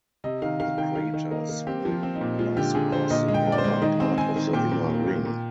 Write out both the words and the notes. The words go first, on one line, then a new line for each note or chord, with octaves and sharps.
The crater Smith lies across the northern part of the inner ring.
C3 D#5
D#3 F5
D#3 F5
D#3 G5
D#3 F5
D#3
A#3 D#5
A#3
C4 G4
F3
F4
C4
D#4
A#2
G#3 F4
D3 G4
D3 G#4
D3 C5
A#2 D#5
G#3
G5
G#3
D5
C5
G#3
D#3 D#5
C4
C4 G#5
D#3
A#2 G5
A#2
A#3
A#2
A#2